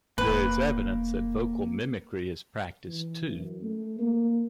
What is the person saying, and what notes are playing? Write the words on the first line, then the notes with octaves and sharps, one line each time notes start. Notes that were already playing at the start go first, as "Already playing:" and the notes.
There is evidence that vocal mimicry is practised too.
E1 A#3 B4 G5
E3
F#2
A3
A#3